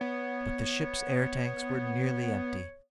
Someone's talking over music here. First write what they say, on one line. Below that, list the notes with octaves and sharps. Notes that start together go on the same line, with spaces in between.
But the ship's air tanks were nearly empty.
B3 C#5